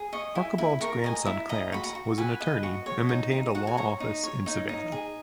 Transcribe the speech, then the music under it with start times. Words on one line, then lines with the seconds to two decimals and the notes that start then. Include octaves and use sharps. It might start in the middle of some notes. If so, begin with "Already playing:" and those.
Archibald's grandson, Clarance, was an attorney and maintained a law office in Savannah.
Already playing: G#4
0.13 D#5 C#6
0.35 E4 G#5
0.58 E4 B5
0.81 A#4 C#6
1.04 D#5 G#5
1.15 A#5
1.26 E4
1.49 D#5 A#5
1.72 F#4 B5
1.84 A#5
1.95 F#4
2.18 B4 G#5
2.41 D#5
2.63 F#4
2.86 C#5
3.09 D#4
3.31 D#4
3.55 F#4 F#5
3.67 G#5
3.77 C#5 A#5
4.00 D#4
4.23 C#5
4.46 D#4
4.69 D#4
4.92 G#4